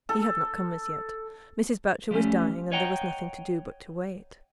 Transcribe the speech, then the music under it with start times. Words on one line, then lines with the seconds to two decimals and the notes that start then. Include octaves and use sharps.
He had not come as yet; Mrs. Boucher was dying; and there was nothing to do but to wait.
0.09 A4
2.11 F3 G3 A3 C#4
2.72 C#5 D#5 F#5 G5 A#5